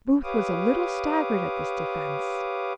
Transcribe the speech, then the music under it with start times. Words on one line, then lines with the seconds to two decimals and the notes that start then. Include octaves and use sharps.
Booth was a little staggered at this defence.
0.23 G4 B4 C#5 F5 D6 D#6